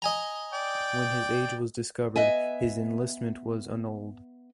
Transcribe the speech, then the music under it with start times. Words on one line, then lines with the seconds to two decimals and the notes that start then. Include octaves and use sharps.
When his age was discovered his enlistment was annulled.
0.02 D#5 G#5 A#5
0.53 D5 G5
2.16 B3 D#5 E5 G#5